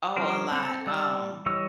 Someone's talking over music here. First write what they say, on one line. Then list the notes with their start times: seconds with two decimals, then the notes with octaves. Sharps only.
Oh, a lot. Um,
0.16 F3 G3 C#4 A#4 C5
0.52 C4 A4
0.87 G3 D5 E6
1.46 E3 G3 C#5 D#5 E6